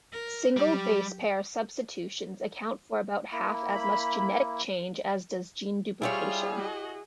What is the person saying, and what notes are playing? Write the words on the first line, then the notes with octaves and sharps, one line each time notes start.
Single-base-pair substitutions account for about half as much genetic change as does gene duplication.
A#4
F#3 G3 G4
A#3 E4
B5
G3 E4 F4 G4 G#4 C#5 F6
F#4 D#5